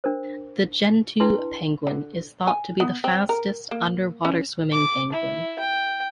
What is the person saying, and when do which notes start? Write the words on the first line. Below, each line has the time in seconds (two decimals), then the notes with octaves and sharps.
The Gentoo penguin is thought to be the fastest underwater-swimming penguin.
0.04 D4 A#4 C5
1.20 D4 E4 B4 A5 C6
1.87 D3
2.47 G#5
2.80 B3
3.04 C4
3.29 A#4
3.71 A#3
4.25 C#4
4.72 D6
5.13 E4
5.59 G5